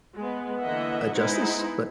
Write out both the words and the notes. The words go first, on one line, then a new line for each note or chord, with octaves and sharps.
a justice, but
G#3 B3
D3 E3 A#3 D#5 E5 F#5
G#3 B3 D#4 E4 C5